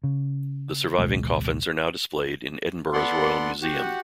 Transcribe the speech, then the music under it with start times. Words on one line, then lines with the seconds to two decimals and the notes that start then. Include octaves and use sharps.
The surviving coffins are now displayed in Edinburgh's Royal Museum.
0.04 C#3
0.98 A1 D2 B2 G#3
2.93 B3 A4 D5 F#5 C6
3.62 F#4 G4 F#5